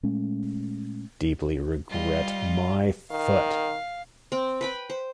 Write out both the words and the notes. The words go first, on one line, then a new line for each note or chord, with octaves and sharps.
Deeply regret, my foot.
A#2 G#3 A3 C#4
G3 F4 D#5
D#3 F5
C4 G5
B4 G5 B5
C5